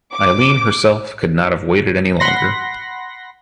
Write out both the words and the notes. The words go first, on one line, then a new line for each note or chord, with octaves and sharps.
Eileen herself could not have waited any longer.
D6
F#5 B5 C6 A#6